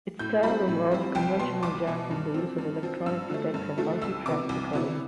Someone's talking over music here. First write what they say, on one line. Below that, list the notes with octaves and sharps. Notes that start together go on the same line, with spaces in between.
Its style involves conventional jazz and the use of electronic effects and multitrack recording.
A2 G6
G3 C4 B5
A2
G3 C4
C2 G5
B2 B3 C6
C2 D6
B2 B3
G2
F3 C4
G2
F3 C4
G2 E6
D3 F3 A3
G2
D3 F3 A3
C2 E6
C3 E3 B3 D6
C2
C3 E3 B3